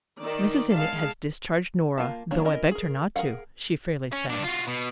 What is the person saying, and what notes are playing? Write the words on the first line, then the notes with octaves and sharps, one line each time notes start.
"Mrs. Innitt has discharged Norah, though I begged her not to," she fairly sang.
D#3 D#4 D5
G#3 F5 A5
A#3 F4 F5 A5
F#3 A#3 D4 C#5
C#4 E4 A#4 D#5
G#4 A#4
G#4 A#4 C5 F5 F#5
C#4
G2 D4
F4 F#4
B2